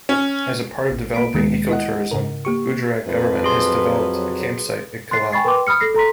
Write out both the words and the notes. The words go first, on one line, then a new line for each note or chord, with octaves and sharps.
As a part of developing ecotourism Gujarat Government has developed a campsite at Kilad.
C#4
A1
A#3 B5 D7
D2 D#3 G#3 B3
E4 D#5 F#5
G#2 C#3 A#4
A#3 G4 C#6
F2 A2 B4
F#3 G#4 C6
C6 F#6 A6 C7
G5 G#5 B5 C#6 A6 C7
A#4 B4 G5 C6 D6
B5 D#6 F6 C#7
A4 A#6 C7
A4 A#5 C6 B6